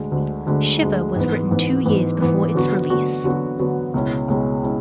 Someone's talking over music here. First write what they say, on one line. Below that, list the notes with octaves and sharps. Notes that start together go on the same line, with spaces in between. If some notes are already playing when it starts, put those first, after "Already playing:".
"Shiver" was written two years before its release.
Already playing: D2 D3 G#3
D2 D3 G#3
D2 D3 G#3
D2 D3 G#3
G#2 E3 B3
G#2 E3 B3
G#2 E3 B3
G#2 E3 B3
D3 F#3 B3 F#4
D3 F#3 B3 F#4
D3 F#3 B3 F#4
D3 F#3 B3 F#4
C#2 B2 G#3 C#4 E4
C#2 B2 G#3 C#4 E4
G#3 C#4 E4